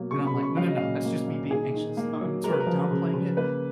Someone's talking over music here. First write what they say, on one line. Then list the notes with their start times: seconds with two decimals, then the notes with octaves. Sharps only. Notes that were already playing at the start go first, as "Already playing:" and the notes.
and I'm like, "No, no, no, that's just me being anxious." I'm sort of downplaying it,
Already playing: B2 F#3 A#3
0.11 C#3 C#6
0.27 B5
0.34 C#3
0.43 C#6
0.57 F#3 F5
0.68 D#5
0.77 A#2 F5
1.05 A#3
1.28 A#2
1.51 D#3 G#4
1.74 D#3
1.97 A#3
2.21 F#3
2.44 G#3 A#4
2.53 B4
2.60 A#4
2.66 F3
2.91 C#3
3.14 C#3
3.37 A#3 B4